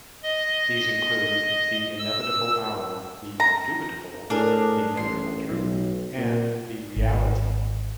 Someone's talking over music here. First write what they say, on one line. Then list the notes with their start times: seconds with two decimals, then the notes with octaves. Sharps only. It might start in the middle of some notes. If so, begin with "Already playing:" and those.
These include "The Inevitable Hour", "The Indubitable", "The Inevitable Truth", and "The Reality".
0.23 D#5
1.98 E6
3.40 A#5
4.30 A2 D4 G#4 A#4
4.97 A1 C6
5.50 B1
6.17 A#2
6.96 G#1